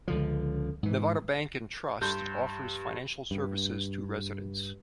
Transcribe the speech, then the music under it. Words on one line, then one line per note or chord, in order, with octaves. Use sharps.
Nevada Bank and Trust offers financial services to residents.
C#2 D3 F3
G#2 E3
G2 C6 G6
G2